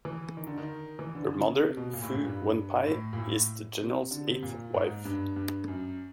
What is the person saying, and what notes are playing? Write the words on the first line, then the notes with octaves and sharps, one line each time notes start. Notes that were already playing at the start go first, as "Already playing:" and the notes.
Her mother, Fu Wenpei, is the general's eighth wife.
E3
D#3
D3
D#3
E3
D3
C#3
C3
B2
A#2
A2
A#2
G2
A2
A#2
A2
C3
D3
C3
A#2
G#2
G2
G2
F#2